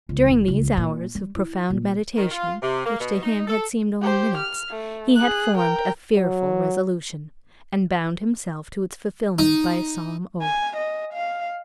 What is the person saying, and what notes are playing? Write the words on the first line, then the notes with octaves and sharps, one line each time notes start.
During these hours of profound meditation, which to him had seemed only minutes, he had formed a fearful resolution, and bound himself to its fulfilment by a solemn oath.
C#2
E1
C#2
A#2
G3
E4
A#2
D#3
F4
C3
A#3
B2
D#4
A4
G4 C5
F6
A3
G#4 F#6
A#4 G5
F#3
D#4
G#5
D#5
F5